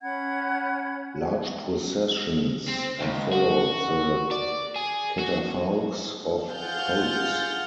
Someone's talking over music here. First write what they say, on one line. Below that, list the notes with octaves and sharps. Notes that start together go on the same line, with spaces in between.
Large processions have followed the catafalques of Popes.
C#4 F#5 B5 G#6
C4
C#2
F#4
D5
G#4
F#4
F4 G#4 F#5 F6 G6 A6